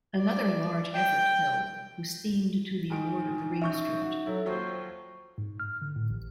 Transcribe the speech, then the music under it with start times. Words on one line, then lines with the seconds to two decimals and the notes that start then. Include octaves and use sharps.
Another large effort held was themed to the "Lord of the Rings" trilogy.
0.18 D5
0.95 G5
2.90 G#2 D#3 D#4 G#5 D7
3.62 B1 C#4 D#4 E5 C#6 G6
4.02 F#4
4.26 F#3 E4 A4
4.46 D#2 F3 F#3 C5 C#6
5.38 G#2
5.60 F6
5.82 D3
5.96 A2
6.10 A1